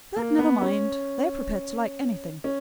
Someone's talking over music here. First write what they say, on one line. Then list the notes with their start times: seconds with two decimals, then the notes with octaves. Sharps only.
But never mind; they are prepared to like anything.
0.16 A#3
0.39 B3
0.62 C#4
2.44 C#4